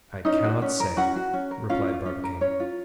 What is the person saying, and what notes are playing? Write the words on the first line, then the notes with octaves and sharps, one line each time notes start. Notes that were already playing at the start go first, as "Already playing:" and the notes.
"I cannot say," replied Barbicane.
C#4 D#4 D#5
F#4
C#4
A#4
C#4 F#4 F#5
F#4
C#4
A#4
C#4 F4 F5
F4
C#4
A#4
C#4 C#5
F4